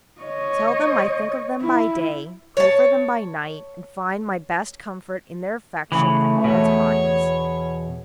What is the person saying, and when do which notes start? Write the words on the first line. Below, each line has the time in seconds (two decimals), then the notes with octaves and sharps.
Tell them I think of them by day, pray for them by night, and find my best comfort in their affection at all times.
0.21 C#5 D#5
1.62 E4
2.57 C#5 A5
5.92 C#3 E3 A3
6.44 E2 B2 C#5